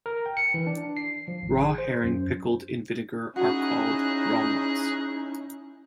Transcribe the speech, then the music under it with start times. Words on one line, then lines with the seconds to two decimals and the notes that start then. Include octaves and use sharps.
Raw herring pickled in vinegar are called rollmops.
0.06 A#4
0.26 G5
0.37 C#7
0.54 E3
0.67 D4
0.97 C7
1.28 F3
1.43 G#1
1.63 G#4
1.78 C5
2.04 F#2
3.36 C#4 D#4 E4 F#4 G#4 F#6